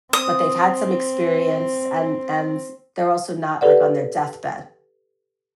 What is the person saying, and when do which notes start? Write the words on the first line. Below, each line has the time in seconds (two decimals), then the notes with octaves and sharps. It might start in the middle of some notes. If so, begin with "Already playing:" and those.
but they've had some experience, and and they're also not, like, on their deathbed.
0.13 C4 D#6
3.61 G4 A4 B4 D5 F#5